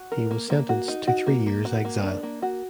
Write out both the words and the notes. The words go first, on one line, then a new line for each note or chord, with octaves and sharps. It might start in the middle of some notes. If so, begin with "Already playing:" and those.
He was sentenced to three years' exile.
Already playing: F#4
A#4
A#3
A#3
F#4
D#4
F#4
A#3
A#3
F#4
A#3
D4
A#3
F#4